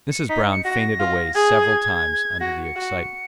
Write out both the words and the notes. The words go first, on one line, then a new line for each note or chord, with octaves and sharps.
Mrs. Brown fainted away several times under the excitement.
C#7
D#4 B6
C#7
F#4 A#6
F4
G#4 G#6
F#4 A#6
C#7
F#4